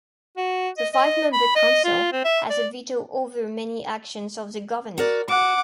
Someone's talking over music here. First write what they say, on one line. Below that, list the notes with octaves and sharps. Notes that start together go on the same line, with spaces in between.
The five-member council has a veto over many actions of the governor.
F#4
D#5
D#5
B5
D#5
F4
C4
E5
D5
F#4 A#4 D5
F#4 F#5 D6